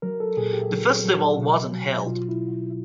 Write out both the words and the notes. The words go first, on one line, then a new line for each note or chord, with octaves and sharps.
The festival wasn't held.
F#3 A#4
A4
A#2 G#4
G4
F#3
F#3
B2
F#3
B2 F4
E4